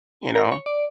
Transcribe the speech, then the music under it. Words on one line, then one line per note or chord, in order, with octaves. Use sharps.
you know?
A#4
C#5
D5